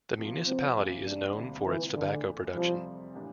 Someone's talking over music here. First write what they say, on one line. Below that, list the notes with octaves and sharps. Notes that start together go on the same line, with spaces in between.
The municipality is known for its tobacco production.
C3 F3 A#3
C4
C3 E3 A#3
D4
D2 C3 G3 A#3 E4
E3
E2 D3 E3 A3
F2 C3 F3 G3 C4
A2 E3 A#3 D4 G4